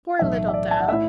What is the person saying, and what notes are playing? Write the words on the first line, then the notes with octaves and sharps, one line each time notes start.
Poor little Dove!
B1 A2 E3 A3 E5
E5
D5
A5
F#5
A2 A3 E4 E5